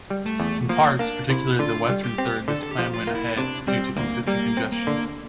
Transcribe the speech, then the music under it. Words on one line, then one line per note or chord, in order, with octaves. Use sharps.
In parts, particularly the western third this plan went ahead, due to consistent congestion.
G3
A3
E2
F3 A#3
A#3 D4
C3 E4
D3 F4
G3
G4
C4
D3 A4
A4
G4
F3
F4
A#3
E4
C3 D4
G3 C4
D2 A#3
G3 A#3
C4
A#3
D3